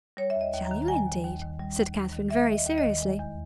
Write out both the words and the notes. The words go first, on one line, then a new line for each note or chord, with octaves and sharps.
"Shall you indeed!" said Catherine very seriously.
G3 C#5
E5
D#2
D#5
D#2
A#5
D#3
A#5
G3 G#5
D#2
D#2
D#3
G3
D#2
D#2
D#3
G3 E5
D#2
D#5
D#2
D#5
D#3
G#3
E2